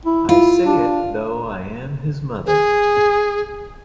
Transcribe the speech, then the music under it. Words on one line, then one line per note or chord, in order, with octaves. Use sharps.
I say it, though I am his mother.
E4
E4 F4
D4
G#4